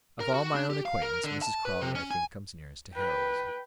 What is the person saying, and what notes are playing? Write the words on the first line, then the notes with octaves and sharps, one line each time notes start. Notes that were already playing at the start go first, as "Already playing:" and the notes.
"Of all my own acquaintance, Mrs. Crawley, I think, comes nearest to heroism."
A#4
F#4
D4
G4
F5
A#4
D3
A5
B4
C3
C#4
G#5
B4 G5